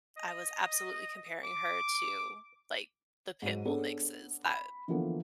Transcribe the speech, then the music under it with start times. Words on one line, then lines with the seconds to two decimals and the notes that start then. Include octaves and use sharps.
I was absolutely comparing her to like the pit bull mixes that
0.17 D#5
1.44 D6
3.42 G#2 F#3 D#7
3.65 B3 C#4 D4 G#4 A4
4.45 B5
4.88 D3 E3 F3 A#3 B3 A4